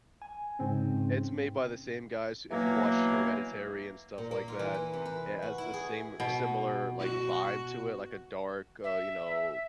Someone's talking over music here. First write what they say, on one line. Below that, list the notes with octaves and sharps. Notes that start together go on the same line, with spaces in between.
It's made by the same guys- if you watched Hereditary and stuff like that- it has the same similar, like, vibe to it, like a dark, uh, you know,
G#5
G#2 C#3 C4 C#4
B2 E3 F#3 A#3
A#2
A#3
F4
E3
B4
C3
B4
F#4
E4
G#4
B2
F#4
E5